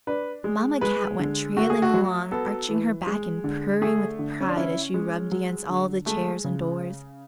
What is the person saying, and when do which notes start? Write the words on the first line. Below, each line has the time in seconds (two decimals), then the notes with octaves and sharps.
Mamma Cat went trailing along, arching her back and purring with pride as she rubbed against all the chairs and doors.
0.07 D4 B4
0.44 G#3
0.81 G#3 B4
1.19 D3
1.57 A3 F#4
1.70 G#4
1.82 F#4
1.94 F#3
2.31 B3 A4
2.69 E3
3.07 G#3
3.44 D3
3.82 A3 G#4
4.19 D3
4.41 C#4
4.49 D4
4.57 C#4 E4
4.94 G#3
5.32 F#3
5.70 D3
6.06 G#3 A3
6.44 C#3